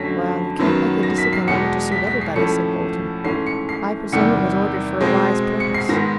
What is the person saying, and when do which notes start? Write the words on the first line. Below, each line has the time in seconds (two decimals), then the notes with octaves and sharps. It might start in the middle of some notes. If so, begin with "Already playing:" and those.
"Well, you can't make the discipline over to suit everybody," said Bolton. "I presume it was ordered for a wise purpose."
Already playing: F2 D3 F#3 A3 C#4 A#6 B6
0.59 F#2 D#3 F#3 B3
1.03 A#6
1.18 B6
1.33 C7
1.47 E2 B2 G#3 C#7
1.92 B6
2.07 B6
2.21 C7
2.36 A2 F3 A3 C#4 C#7
3.24 G#2 E3 A3 C#4 C7
3.47 C#7
3.69 C7
4.13 E2 C3 D#3 G3 C#7
5.01 B2 G#3 C4
5.60 C#7
5.74 C7
5.89 G#2 D#3 G#3 B3 A#6